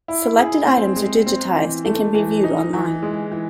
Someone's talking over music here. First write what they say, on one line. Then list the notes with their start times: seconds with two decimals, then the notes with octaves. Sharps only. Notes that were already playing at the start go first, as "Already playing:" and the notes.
Selected items are digitized and can be viewed online.
0.08 E4
0.38 G#4
0.67 C4
0.96 G#3
1.27 C4
1.56 E3
1.85 A3
2.14 E3
2.44 D#4
2.73 E3
3.02 G#3
3.32 E3